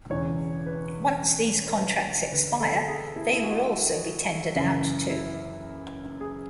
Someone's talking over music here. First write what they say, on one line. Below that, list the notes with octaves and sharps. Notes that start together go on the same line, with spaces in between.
Once these contracts expire, they will also be tendered out too.
E1 E2 C#3 E3 C#5
B4
B4
D2 D3 B4
A4
G#4
E4
E4
F#4
F#1 F#2 C#3 E3
E4
G#4